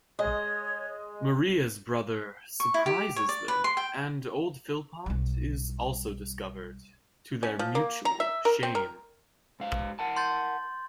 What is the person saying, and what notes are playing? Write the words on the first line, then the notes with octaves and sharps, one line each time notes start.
Maria's brother surprises them, and old Philpot is also discovered, to their mutual shame.
G#3 C#5 D#5
C#6
E4
G4
C#5
D5
B4
C6
G5
B1 G3
C#4
F3
A#3
A#5
E5
A#4
C4
A#4
G#2 F5
A#4 F#5 A5
C6 G6 A6